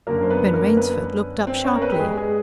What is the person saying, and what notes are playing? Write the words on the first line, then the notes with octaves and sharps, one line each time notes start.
Ben Rainsford looked up sharply.
F#2 D3 F#3 A#3 A#4
C5
B3 B4
A#3 A#4
B3 B4
C4 C5
C#4 C#5
A#4
B3 B4
G4
G#3 G#4
G#3 G#4